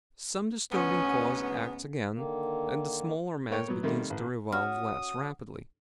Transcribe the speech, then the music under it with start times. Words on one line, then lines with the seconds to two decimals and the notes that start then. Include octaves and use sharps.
Some disturbing cause acts again, and the smaller mass begins to revolve less rapidly.
0.72 D2 G#2 B3 C#4
2.15 D3 D#3 A#3
3.50 A#3 A4 C#5 G5
3.68 F#3 B3
3.83 C3 D#3 G3 A3 A#3
4.10 A1
4.53 C#4 F#4 D#6 F6